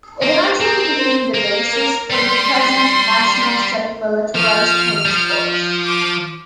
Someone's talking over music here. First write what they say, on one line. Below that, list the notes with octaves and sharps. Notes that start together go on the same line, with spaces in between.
It eventually became the basis for the present national semi-militarised police force.
A#3 C5
C4 A#4
C5
A#3
A#4
G3 C6
F3 F6
G3
F3
D6